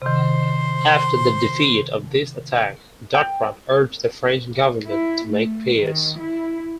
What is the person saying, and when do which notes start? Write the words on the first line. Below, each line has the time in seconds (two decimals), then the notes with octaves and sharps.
After the defeat of this attack, Ducrot urged the French government to make peace.
0.02 C3 D#3 C5
3.15 G5
4.87 E4
5.27 A3
5.76 D#3
6.19 E4